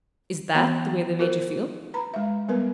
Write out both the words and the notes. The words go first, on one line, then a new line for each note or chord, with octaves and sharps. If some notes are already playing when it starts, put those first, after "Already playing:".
"Is THAT the way they made you feel?"
E3 B3 F#4 F#5 G5 B5
F4 F#4 A#4 C5
B4 A#5 B5
G#3 E5
G3 B3 A#4 B4